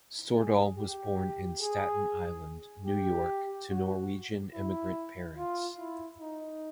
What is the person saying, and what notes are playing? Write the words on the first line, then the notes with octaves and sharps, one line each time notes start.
Stordahl was born in Staten Island, New York to Norwegian immigrant parents.
G#4
G4
G#4
G4
F#4
E4
F4
E4
D#4